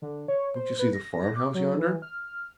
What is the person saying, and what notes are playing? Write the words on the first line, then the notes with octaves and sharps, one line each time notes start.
Don't you see the farm-house yonder?
D3
C#5
C5
B4
A#6
D6
F#3
E3
F6